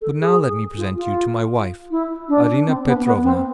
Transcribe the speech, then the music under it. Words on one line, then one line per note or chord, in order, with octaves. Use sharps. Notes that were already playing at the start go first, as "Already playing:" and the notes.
But now let me present you to my wife, Arina Petrovna.
A4
G#4
F4
F4
E4
D4
C4
B3
B3
C4